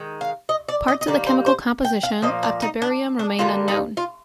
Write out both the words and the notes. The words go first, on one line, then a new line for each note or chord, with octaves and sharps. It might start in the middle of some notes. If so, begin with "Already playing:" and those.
Parts of the chemical composition of tiberium remain unknown.
Already playing: D#3 G#3
F5
D#5
D5
D#5
D#5
D#3 G3 A#3 D5
C5
C5
G5
F5
A#2 F3 A#3 D#5
D5
D#4
D4
D4
D3 G3 A#3 F4
D#4
F4